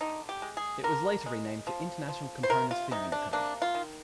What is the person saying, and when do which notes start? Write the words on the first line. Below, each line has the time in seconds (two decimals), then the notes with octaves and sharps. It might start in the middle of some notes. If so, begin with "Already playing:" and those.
It was later renamed to International Components For Unicode.
0.01 D3 D#4
0.29 G4
0.42 G#3
0.57 G#4
0.83 D3 A#4
1.26 G#3
1.67 F3
2.08 F3
2.43 C5
2.50 C3 A#4
2.71 F4
2.91 C3 D#4
3.12 D4
3.33 A#3 D4
3.62 F4
3.75 D#3